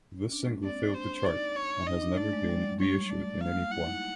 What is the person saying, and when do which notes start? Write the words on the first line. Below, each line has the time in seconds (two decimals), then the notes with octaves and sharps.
This single failed to chart and has never been reissued in any form.
0.23 C#4
0.32 D4
0.42 G#3
0.53 A#3
0.64 C4 D5
0.94 D4 C5
1.25 D#4 D5
1.56 C#5
1.86 D#4 D#5
1.97 D#4
2.02 D4
2.17 A3 D5
2.33 G#3
2.49 G3
2.63 F#3
2.79 G3 C#5
3.10 A3 D5
3.40 A#3 F5
3.71 E4 F#5
3.86 D#4